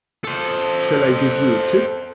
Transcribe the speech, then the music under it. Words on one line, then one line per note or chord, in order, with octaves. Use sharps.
Shall I give you a tip?
A4 C5